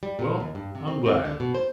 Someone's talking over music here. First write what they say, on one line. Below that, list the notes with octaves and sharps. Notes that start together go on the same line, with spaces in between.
Well, I am glad.
G3
A#2
D#2
G2
C3
C4
C4
D3
B2
C5